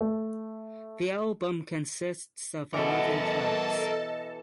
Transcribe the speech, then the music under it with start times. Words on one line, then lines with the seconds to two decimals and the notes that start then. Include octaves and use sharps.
The album consists of eleven tracks.
0.01 A3
2.74 B2 E3 A4 A#4 D#5 F#5 A5